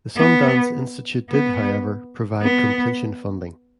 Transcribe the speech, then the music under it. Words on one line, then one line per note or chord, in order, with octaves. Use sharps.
The Sundance Institute did, however, provide completion funding.
B3
B3
B3